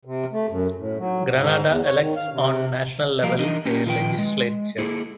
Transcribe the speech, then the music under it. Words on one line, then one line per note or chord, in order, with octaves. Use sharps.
Grenada elects on national level a legislature.
C3
A3
F#2
A2
F#3
G#2
E2
C#5
D#3
F5
C3
F3 G3 A#3 G4 A#4 F5
E3 D4 D#4 A#4 D#5
A#3 C#4 G4
D#3 F3 B4 G5
G#3
A#3 E4 G#4 A4